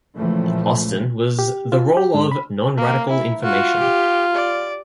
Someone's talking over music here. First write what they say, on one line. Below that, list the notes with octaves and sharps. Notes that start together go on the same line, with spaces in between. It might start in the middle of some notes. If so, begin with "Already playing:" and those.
Austin was the role of 'non-radical information'.
C#2 A#2 E3 F3 A3
G4
F4
G4
G#2
B5
A#3
E4
F4 F#4
G4
D5